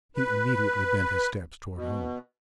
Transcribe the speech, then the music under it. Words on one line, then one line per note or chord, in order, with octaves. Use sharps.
He immediately bent his steps toward home.
B4
B2